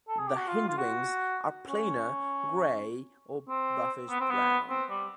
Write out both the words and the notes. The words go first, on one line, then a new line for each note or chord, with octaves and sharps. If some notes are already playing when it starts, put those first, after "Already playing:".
The hindwings are plainer, grey or buffish brown.
A4
G#4
G4
F#4
F4
F4
F#4
C#4
C4
B3
C4
B3
C4
G3